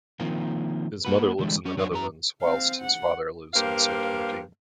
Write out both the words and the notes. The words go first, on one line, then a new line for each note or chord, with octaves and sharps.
His mother lives in the Netherlands whilst his father lives in Sint Maarten.
D#3 F3 A#3 C4
A#3 F#4 B4
D3 E3 G3 G#3
F#3 C#4 C#5
F#3 D4 F#4 C5 C#5
F#2 F#3 A#5
C4 F5
F#5
G2 A#3 G4 C5 F5